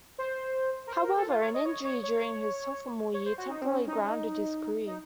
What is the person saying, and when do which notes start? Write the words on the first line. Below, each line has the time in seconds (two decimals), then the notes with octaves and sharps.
However, an injury during his sophomore year temporarily grounded his career.
0.18 C5
0.87 A#4
0.93 C5
1.04 A#4
1.17 A4
1.29 F4
1.41 C#5
1.54 D#5
1.66 C#5
1.85 C#5
2.03 C#5
3.14 C#5
3.26 C5
3.38 F#4
3.50 D#4
3.62 C4
3.68 C#4
3.87 D#4
4.06 D#4
4.87 D#4